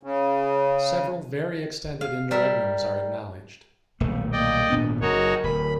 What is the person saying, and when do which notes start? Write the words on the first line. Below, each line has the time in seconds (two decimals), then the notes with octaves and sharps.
Several very extended interregnums are acknowledged.
0.03 C#3
2.01 F5
2.31 G3 A#4 E5
4.00 D#1 B1 A3 A#3
4.32 A#3 D5 D#5 G5
4.70 G#1 A#2 B3 D4
5.01 F#1 D#4 F#4 A#4 C#5
5.44 D1 B5